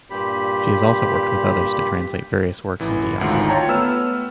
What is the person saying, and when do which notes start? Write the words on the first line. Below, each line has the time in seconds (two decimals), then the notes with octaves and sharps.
She has also worked with others to translate various works into Yakut.
0.10 G2 A#2 G4 B5
2.81 A1 E3
3.20 G#1 D2 G#2 F4
3.48 F4 C#5 G5 A5 A#5
3.68 A3 B3 E6 F6 E7